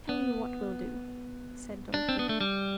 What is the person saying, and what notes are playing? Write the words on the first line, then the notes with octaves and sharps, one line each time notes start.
"Tell you what we'll do," said Dorothy.
B3
D4
C4
B3
A3
G3